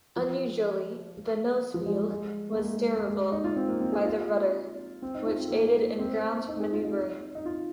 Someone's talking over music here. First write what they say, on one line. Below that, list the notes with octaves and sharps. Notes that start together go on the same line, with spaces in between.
Unusually, the nosewheel was steerable by the rudder, which aided in ground maneuvering.
F3
F3
G#3
G#3
A#3
G#3
A#3
G#3
D#4
F4
C4
A#3
C4
G#4
F4
C4
D#4
F4
C4
A#3
C4
D#4
G#4
F4
D#4
D#4
F4